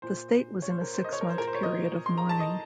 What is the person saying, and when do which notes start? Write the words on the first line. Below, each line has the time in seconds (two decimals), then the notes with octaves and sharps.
The state was in a six-month period of mourning.
0.02 A#2 C5
0.62 C#5
0.71 C5
0.81 A#4
0.94 C5
1.04 D#5
1.12 C#5
1.21 A#4
1.30 C5
1.38 A#2 A#4
1.47 C5
1.55 C#5
1.63 D#5
2.06 C6
2.18 A#5
2.29 A5
2.40 D#5